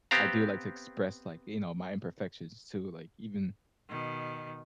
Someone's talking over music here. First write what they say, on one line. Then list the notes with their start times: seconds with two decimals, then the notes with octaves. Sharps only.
I do like to express, like, you know, my imperfections too, like, even
0.11 B3 C4 G4 C5 F5 A#5
3.88 B2 D#3